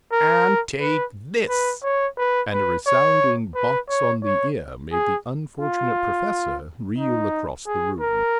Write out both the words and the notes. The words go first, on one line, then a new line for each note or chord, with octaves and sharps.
"And take this!" and a resounding box on the ear made the unfortunate Professor reel across the room.
A#4
B4
B4
C#5
B4
B4
C#5
B4
C#5
C#5
G#4
F4
D#4
G#4
A#4